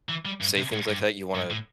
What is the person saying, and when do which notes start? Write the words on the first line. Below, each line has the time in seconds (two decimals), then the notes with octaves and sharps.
say things like that, you want
0.09 E3
0.25 G3
0.41 G2
0.56 C3
0.72 A2
0.88 G2
1.35 G2
1.50 A2